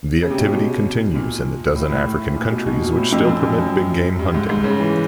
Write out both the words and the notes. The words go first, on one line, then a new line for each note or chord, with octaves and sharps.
The activity continues in the dozen African countries which still permit big-game hunting.
C#3
C3
B2
B2
A#2
A2
A2
A2
A#2
B2
B2
A#2
A2
F2
F#2
F2
F#2
G2
G#2
G#2
C#3
E3